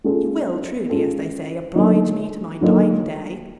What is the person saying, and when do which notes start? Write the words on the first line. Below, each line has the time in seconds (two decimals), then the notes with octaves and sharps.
You will truly, as they say, oblige me to my dying day.
0.04 G#3 C#4 F4 A4
0.90 G#3 C#4 F4 A4
1.75 D3 F#3 A#3 D#4
2.61 D3 F#3 A#3 D#4